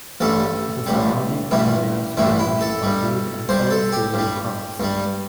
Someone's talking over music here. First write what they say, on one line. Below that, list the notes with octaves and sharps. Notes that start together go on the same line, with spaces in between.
The surrounding areas produce some wheat and other cereal crops.
A1 G2 G3 A4
A1 G2 G3
A1 G2 G3 E4
A1 G2 G3 E4
E4
A4
G2 G3
G2 G3 C5
A4
G4
G2 G3
G2 G3